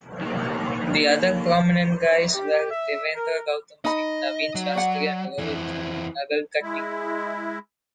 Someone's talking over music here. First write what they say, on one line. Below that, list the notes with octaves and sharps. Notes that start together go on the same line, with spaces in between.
The other prominent guys were Devendra Gautam Singh, Naveen Shastri and Rohit Nagarkatti.
D#3 A#3
C5
G4
E5
A#4
D#4 D#5 B5
F#3
C#5 D5 F#5
F2 E3
G#3 E4